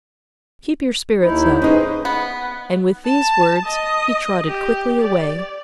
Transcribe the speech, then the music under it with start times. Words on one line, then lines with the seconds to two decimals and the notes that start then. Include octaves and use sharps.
Keep your spirits up.' And with these words he trotted quickly away.
1.22 D#2 D#4 E4
1.62 C#4 D#4 G#4 B4 C5
2.05 B3
3.05 A5
3.65 D#5
4.49 G4
5.02 D5